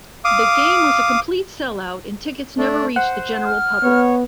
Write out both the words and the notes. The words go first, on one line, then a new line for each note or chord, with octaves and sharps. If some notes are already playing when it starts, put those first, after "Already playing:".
The game was a complete sellout and tickets never reached the general public.
F5 D6 D#6
A3 D4
C5 F#5
F6
B3 C#5